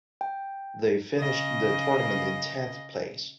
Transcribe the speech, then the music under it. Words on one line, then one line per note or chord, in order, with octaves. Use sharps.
They finished the tournament in tenth place.
G5
C#3 D#5